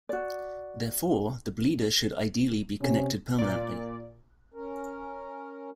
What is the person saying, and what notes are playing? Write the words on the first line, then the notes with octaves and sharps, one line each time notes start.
Therefore the bleeder should ideally be connected permanently.
F#4 D5
C3 C#4
A#2 D5
C#4 A#4